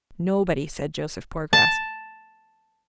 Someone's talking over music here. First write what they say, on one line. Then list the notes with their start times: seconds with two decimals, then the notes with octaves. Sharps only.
"Nobody," said Joseph Poorgrass.
1.53 A5